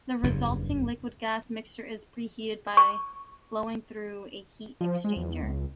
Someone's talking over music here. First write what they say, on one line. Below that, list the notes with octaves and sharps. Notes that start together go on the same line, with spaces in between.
The resulting liquid-gas mixture is preheated by flowing through a heat exchanger.
F#1 E2 G2 C#3
C#6
F3
G#3
E2
C#2